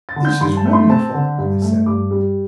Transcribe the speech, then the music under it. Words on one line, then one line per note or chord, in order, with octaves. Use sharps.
"This is wonderful," I said.
A6
D3
G6
G2 C6
A5
A3
C6
C4 A5
D3
G2
A3
G2 D6
G3